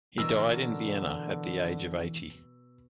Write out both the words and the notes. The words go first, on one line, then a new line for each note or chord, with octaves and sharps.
He died in Vienna at the age of eighty.
B2 D3 E3 A#4 E6